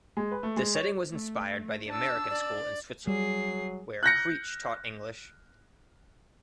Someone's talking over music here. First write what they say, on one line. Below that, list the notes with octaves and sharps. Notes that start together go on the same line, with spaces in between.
The setting was inspired by The American School In Switzerland, where Creech taught English.
G#3
B4
A3
G#3
C#5
A3
D4 A5 E6
D5
F#3 G3 G#4 C7
F#6 G6 A#6 C#7